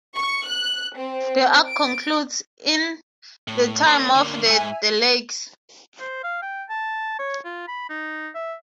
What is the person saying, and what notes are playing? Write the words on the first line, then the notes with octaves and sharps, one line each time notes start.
The arc concludes in "The Time of the Daleks".
C#6
F#6
C4
D7
A2
A#3 C#4 C6 D#6 D7
D3 A#3
F2 G#2 E5 G#5
C5
F5
G5
A5
C#5
F4
B5
D#4
E5